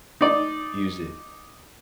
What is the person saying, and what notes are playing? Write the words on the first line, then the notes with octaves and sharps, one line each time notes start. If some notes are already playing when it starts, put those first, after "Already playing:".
use it.
D#4 D5